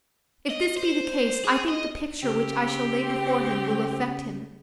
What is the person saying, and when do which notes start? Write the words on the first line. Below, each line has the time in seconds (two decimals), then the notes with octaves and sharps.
If this be the case, I think the picture which I shall lay before him will affect him.
0.50 D#5
0.77 C5
1.45 G#4
1.69 D#5
2.23 C#3 C4 G4